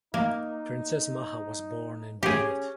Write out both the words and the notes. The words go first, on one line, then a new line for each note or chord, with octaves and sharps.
Princess Maha was born in Beirut.
A#3 D#4
C#4 G4 G#4